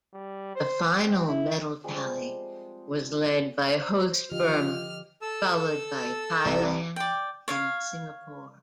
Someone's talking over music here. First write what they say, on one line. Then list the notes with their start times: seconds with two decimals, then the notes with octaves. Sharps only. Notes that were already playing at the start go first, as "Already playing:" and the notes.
The final medal tally was led by host Burma, followed by Thailand and Singapore.
0.14 G3
0.56 C5
0.89 C4
1.27 E4
1.84 F3 G3 G#3 C4
3.76 C5
4.31 D3 F3 F4 G4 D#5 F6
5.22 A4 A5 E6
6.45 C2
6.96 D5 G5
7.48 C#5 F5